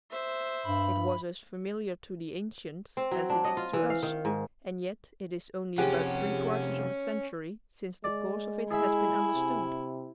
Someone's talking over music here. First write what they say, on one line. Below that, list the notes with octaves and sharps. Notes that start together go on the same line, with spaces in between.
It was as familiar to the ancients as it is to us, and yet it is only about three-quarters of a century since the cause of it has been understood.
C5 E5
G2 B5
C4
F#3
D4
D#5
F4
E3
F5
D#3
G#2
C3 F3 C#4 G4 G#4 F#5
G#3 D5
E4 G#4 E5 G#5
C3